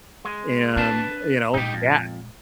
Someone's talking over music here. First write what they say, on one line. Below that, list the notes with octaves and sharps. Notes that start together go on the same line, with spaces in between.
and, you know, ga
G#3
C4 D4 B4 A5
A#2 G#3 D#4 G4
F2